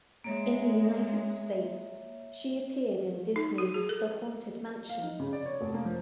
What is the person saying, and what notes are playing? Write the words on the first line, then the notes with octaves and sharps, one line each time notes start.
In the United States, she appeared in Disney's "The Haunted Mansion".
G#3 A#3 C#5 E5
D#4
F#4
G#4
A4
F5
D#4
C#3
D5
C#5
F1
A#3
F3